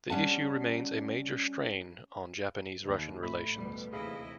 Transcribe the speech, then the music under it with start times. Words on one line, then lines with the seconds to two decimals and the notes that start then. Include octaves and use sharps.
The issue remains a major strain on Japanese-Russian relations.
0.10 G3 C#4 F#5 A5
2.85 D#2
3.23 A1 A3 B5
3.56 D2 B2 G3 B3
3.93 D#2 C3 E3 E4 G#4 D#5 F5 B5